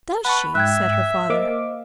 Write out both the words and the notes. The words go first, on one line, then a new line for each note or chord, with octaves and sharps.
'Does she?' said her father.
B4 F#5 A5 B5 C#6
G#2 E5 G5 F#6 G#6
A#3 C5 D#5 F5 D6